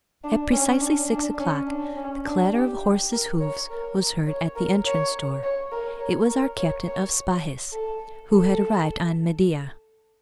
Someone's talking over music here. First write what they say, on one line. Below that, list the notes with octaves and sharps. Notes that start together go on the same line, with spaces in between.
At precisely six o'clock the clatter of horses' hoofs was heard at the entrance door; it was our captain of Spahis, who had arrived on Medeah.
D4
C#4
D4
D4
C#4
D4
C#4
D4
G4
A#4
C#5
A#4
C#5
A#4
C#5
C#5
A#4
C#5
A#4
C#5
C#5
A4
A4